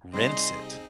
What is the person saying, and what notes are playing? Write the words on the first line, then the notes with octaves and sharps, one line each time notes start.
Rinse it?
C3 G3 C4 D#4 G#4 D#5 C6